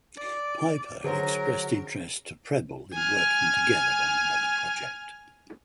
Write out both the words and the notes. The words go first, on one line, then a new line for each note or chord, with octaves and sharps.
Piper expressed interest to Prebble in working together on another project.
D5
D3 F#3 G#4 A#4 C5
G#5 F6